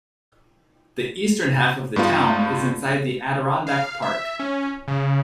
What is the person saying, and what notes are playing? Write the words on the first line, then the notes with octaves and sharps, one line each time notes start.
The eastern half of the town is inside the Adirondack Park.
G2 B3 F4
F5
E5
C#4
C#3